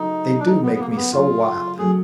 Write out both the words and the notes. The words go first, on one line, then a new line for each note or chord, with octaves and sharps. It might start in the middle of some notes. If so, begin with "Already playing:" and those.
They do make me so wild.
Already playing: C#3 F#3 A3 D#4
D4
C#3 F#3 A3 D#4
B3
B3
A#3
A#3
B3
C#3 F#3 A3 F4
C#3 F#3 A3 G#4